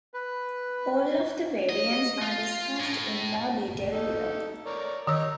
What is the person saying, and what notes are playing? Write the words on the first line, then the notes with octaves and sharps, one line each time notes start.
All of the variants are discussed in more detail below.
B4
D#5
F4
A2
D#4 A4
A#4 C#5 D5
D#3 C#5 D#5 A#5 E6